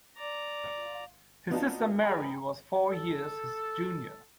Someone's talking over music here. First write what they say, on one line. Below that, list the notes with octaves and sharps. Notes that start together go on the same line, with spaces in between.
His sister Mary was four years his junior.
D5 A#5
B3 D4 D#4 F4 F#4 A5
G#4 G5 G#5 A#5 B5
A4